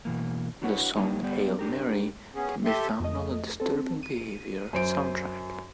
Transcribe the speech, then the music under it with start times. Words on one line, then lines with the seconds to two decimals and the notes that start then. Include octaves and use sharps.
The song "Hail Mary" can be found on the "Disturbing Behavior" soundtrack.
0.05 B2 E3 A#3
0.62 D4 E4 F#4 B4 C#5 F#5
0.96 F#3 G3 A#3 D#4 F#4 G4
1.23 G3 B3 G4 D5
1.59 D4 G4 A#4
2.35 B3 C#4 G#4
2.65 G4 A4 E5 C6
3.00 F2 A3 D#5
3.60 C4 A4
4.03 D#7
4.73 F#2 C5 D7